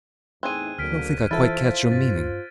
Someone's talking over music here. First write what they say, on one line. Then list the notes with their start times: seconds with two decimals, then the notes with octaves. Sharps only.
I don't think I quite catch your meaning.
0.43 E2 A2 C4 D#4 G#4 F#6 G#6 D#7
0.78 D2 D3 F#3 A#3 F6 B6 D7
1.31 E3 E4 F4 A4 C5 A6
1.92 G2 C#4 A6